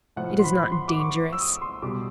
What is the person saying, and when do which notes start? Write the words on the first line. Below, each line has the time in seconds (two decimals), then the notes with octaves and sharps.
It is not dangerous.
0.16 A2 F3 F#5
0.39 C6
0.44 B5
0.72 C6
0.88 D6
1.00 C#6
1.33 E6
1.41 D#6
1.62 C6
1.82 B2 G3 D6